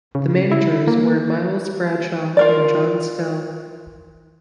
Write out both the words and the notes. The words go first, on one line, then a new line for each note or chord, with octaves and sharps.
The managers were Miles Bradshaw and John Stelle.
C#3
E4
A#3
F4 A#4 D5